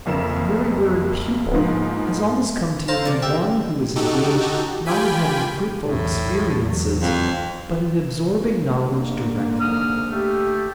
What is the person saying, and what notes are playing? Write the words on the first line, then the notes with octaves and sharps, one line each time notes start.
The very word pupil has almost come to mean one who is engaged not in having fruitful experiences but in absorbing knowledge directly.
F#1 F2 A#3 E7
G#2 F3 A#3 B3
A4 C5 F5 A5 A#5
C#3 A#3 D5
G4 E5 G5
D#4 F#4 G4 A4
F4 G4 G5 G#5 B5
B1 E2 A2
E2 F#3
F2
D3 A#3
G#2 D#6 F6
A3 G4